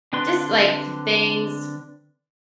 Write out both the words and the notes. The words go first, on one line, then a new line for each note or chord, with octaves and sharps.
just, like, k things,
D3 C4 D4 B4 C6